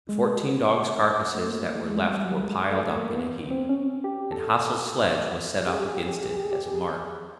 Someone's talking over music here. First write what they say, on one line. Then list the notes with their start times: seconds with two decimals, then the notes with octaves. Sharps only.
The fourteen dogs' carcasses that were left were piled up in a heap, and Hassel's sledge was set up against it as a mark.
0.09 G#3
1.35 A3
1.48 A#3
1.63 A#3
1.75 A3
1.90 G#3
2.08 G3
2.24 F#3
2.42 G#3
2.70 A3
2.96 A#3
3.10 A#3
3.15 B3
3.51 C4
3.69 C#4
4.04 G4
4.32 A4
5.67 G4
5.73 G#4
5.81 G4
5.87 G#4
5.94 G4
6.02 G#4
6.08 G4
6.15 G#4
6.23 G4
6.30 G#4
6.37 G4
6.44 G#4
6.52 G4
6.75 G#4